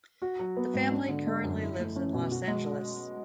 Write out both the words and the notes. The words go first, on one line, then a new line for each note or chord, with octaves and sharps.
The family currently lives in Los Angeles.
F#4
F#3
B3
G#2
D4
D3
G#3
F#2
E4
A3
C#4
B2
F#4
G#3